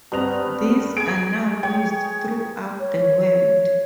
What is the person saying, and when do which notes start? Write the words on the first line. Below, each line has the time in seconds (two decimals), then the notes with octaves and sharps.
These are now used throughout the world.
0.12 G2 B3 C4 A#5 F7
0.97 G#4 G#5 D7
1.63 C#5 G5
2.80 C#5